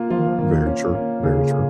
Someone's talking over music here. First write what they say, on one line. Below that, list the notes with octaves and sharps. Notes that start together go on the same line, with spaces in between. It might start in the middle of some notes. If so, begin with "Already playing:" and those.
Very true. Very true.
Already playing: A#3 F4
F3 F4
D#3
F3
D#3 A#3
C#4
A#3
C#3 G#4
G#4